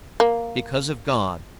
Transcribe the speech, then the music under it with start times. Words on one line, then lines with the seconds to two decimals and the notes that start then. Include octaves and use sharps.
Because of God.
0.20 A#3